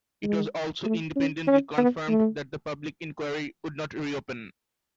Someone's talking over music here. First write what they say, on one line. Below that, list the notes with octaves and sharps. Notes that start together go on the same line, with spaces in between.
It was also independently confirmed that the public inquiry would not reopen.
G#3
A3
C#4
C#4
B3
A3